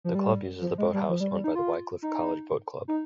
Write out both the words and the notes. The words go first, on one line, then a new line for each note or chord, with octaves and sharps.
The club uses the boathouse owned by the Wycliffe College Boat Club.
F3
G3
F3
G#3
G3
F3
G3
G3
D#4
F4
D#4
D#4